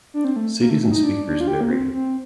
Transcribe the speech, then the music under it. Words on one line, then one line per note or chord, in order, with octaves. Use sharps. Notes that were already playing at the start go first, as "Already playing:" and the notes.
Cities and speakers vary.
D4
C4
A3
A#3
A3
A3
D#4
D4
D4
F4
G4
A#3
C4
C4